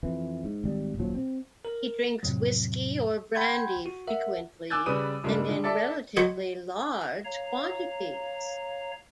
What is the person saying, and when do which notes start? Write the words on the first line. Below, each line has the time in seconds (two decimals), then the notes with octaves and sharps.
He drinks whiskey or brandy frequently and in relatively large quantities.
0.03 F2 E3
0.44 G#2
0.64 G#1 G3
0.97 D#1 A#1 F3 F#3
1.14 C4
1.65 A#4
2.23 F2 A2 C3 F#3
3.35 F#5 G5 B5 C6 G6 G#6
3.86 F#4
4.07 A#4 E5 F#5
4.70 G#5 D6 E6 F#6 G6 A6
4.86 C#3 G3 B4 D#6 D#7
5.24 G2 C#3 G3 G#3 A#3
5.45 D3 G3
5.64 A4 D5 E5 A5
6.17 F#3 C5 C#5 D#5
7.25 C#5 F5 A#5